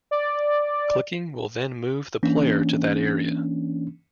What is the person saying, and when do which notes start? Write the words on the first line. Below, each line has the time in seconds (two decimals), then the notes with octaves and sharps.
Clicking will then move the player to that area.
0.11 D5
2.23 E3 A#3 C#4 D4